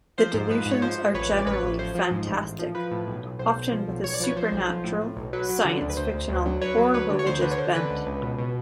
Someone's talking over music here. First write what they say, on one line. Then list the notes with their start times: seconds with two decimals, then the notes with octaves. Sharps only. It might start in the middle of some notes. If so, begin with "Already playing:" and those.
The delusions are generally fantastic, often with a supernatural, science-fictional, or religious bent.
0.18 F3 C5
0.34 G#2
0.50 F3 B4
0.66 G#2
0.71 C#5
0.82 F3 C5
0.98 F3
1.14 A1 B4 C#5
1.31 A1
1.37 D5
1.47 A1 B4 C#5
1.63 A1
1.79 F3 C5
1.95 F3
2.11 G#2
2.27 A1
2.43 A1
2.59 F3
2.75 F3 B4
2.91 A2
3.08 B1
3.24 B1
3.39 B1 C5
3.56 B1
3.72 F3
3.88 B1
4.04 B1 C#5
4.14 D5
4.20 F3 B4 C#5
4.36 F3 C5
4.52 B1
4.69 F3
4.84 A2
5.01 A2
5.17 B1
5.33 F#3 B4
5.49 F#3
5.65 D3
5.81 D2
5.90 B4
5.97 D2 C5
6.14 D2
6.29 D2
6.46 F#3
6.61 F#3 B4 C#5
6.77 F#3
6.94 D2 B4 C#5
7.10 D3
7.19 C#5
7.26 D2 C5
7.42 D3 B4
7.51 C#5
7.58 D3 C5
7.75 D3 B4
7.90 C#2
8.07 C#2
8.23 B2
8.39 B2